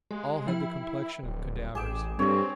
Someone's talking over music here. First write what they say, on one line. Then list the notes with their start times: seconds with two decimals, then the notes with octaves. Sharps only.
All had the complexion of cadavers.
0.11 G#3 G4
0.47 F3 E4 G5
1.23 D1
1.75 A1 G#4 G5 D6 E7
2.19 G2 C4 A4 B4 C#5